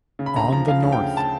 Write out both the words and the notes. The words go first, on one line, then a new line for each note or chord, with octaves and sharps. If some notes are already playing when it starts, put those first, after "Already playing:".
On the North.
C#3
B5
D2 A#5
F3 A#5
F3 F5
D2
G5
C#3
A5